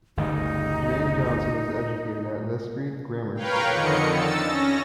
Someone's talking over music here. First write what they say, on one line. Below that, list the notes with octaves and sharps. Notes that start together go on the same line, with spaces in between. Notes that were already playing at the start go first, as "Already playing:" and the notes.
Jane Johnson was educated at Liskeard Grammar School.
G1 D2 C#3 D#4
A#4 B4 C#5 F5 G5
F2 D3 D#3 D#5 C#7
E6 A6
C#4 A#6